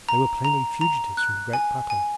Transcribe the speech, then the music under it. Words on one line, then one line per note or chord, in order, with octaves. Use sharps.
They were plainly fugitives from the great battle.
A#5
A#5
A#5
F#6
G#5
G#5